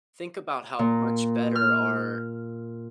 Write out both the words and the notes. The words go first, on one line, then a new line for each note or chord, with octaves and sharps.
Think about how much better our
A#2
F6